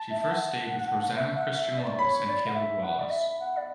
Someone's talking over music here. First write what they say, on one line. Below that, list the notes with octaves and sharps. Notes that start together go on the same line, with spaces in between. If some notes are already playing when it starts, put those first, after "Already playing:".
She first stayed with Rosanna Christian Wallace and Caleb Wallace.
Already playing: A5
E5
E5
F#5
E5
F#5
E5
D5
C#5 B5
D5
F#5
E5
F#5
D5
E5
F#5
D5